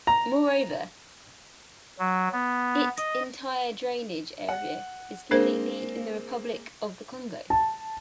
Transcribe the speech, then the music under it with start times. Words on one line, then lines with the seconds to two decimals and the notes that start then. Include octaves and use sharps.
Moreover, it entire drainage area is completely in the Republic of the Congo.
0.07 A#5
1.99 F#3
2.33 B3
2.97 D#5
4.49 F#5
5.31 G#3 A#3 C4 D4 A#4 C5
7.50 A5